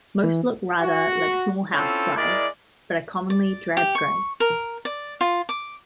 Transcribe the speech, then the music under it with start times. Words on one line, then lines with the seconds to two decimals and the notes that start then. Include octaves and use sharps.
Most look rather like small houseflies, but are commonly drab grey.
0.24 E3
0.81 F#4
1.74 C4 C#4 E4 F4 A4
2.16 G#3 E4 A#4 D5
3.30 D5
3.77 G4
3.95 C#6
4.40 A#4
4.85 D5
5.21 F4
5.49 D6